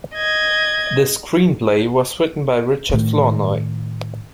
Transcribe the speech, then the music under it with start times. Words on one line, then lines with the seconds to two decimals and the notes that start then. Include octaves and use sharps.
The screenplay was written by Richard Flournoy.
0.15 D#5 G#6
2.89 A2 D#3